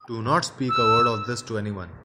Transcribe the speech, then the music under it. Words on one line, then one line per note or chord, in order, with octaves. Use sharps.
Do not speak a word of this to any one.
E6